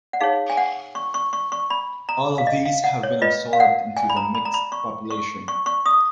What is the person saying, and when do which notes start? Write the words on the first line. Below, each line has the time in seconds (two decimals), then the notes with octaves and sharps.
All of these have been absorbed into the "mixed" population.
0.13 F#5
0.20 D#4 G#4 C#5 F5
0.50 G#5
0.57 F#5
0.95 C#6
1.14 C#6
1.33 C#6
1.52 C#6
1.70 B5
2.09 A#5
2.38 F5
2.47 D#5
2.66 F5
2.84 F#5
3.03 C#5
3.22 F4 B4 D#5
3.53 F5
3.60 F#5
3.97 G#5
4.10 B5
4.17 A#5
4.35 B5
4.45 A#5
4.54 B5
4.72 C#6
5.11 C#6
5.48 C#6
5.66 C#6
5.86 D#6